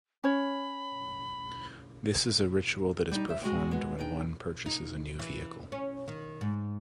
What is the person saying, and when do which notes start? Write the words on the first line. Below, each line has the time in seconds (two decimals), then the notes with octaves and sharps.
This is a ritual that is performed when one purchases a new vehicle.
0.24 C#4 C#5 B5
3.11 G3 D#4
3.28 G3 C5 E5
3.41 G#3 F#4 D#5 G5
3.71 G#3 B3 F#4
3.98 D4 D#4 G#4 G5
4.66 D#4
5.19 E3
5.72 C#4
6.08 D#3
6.41 G#2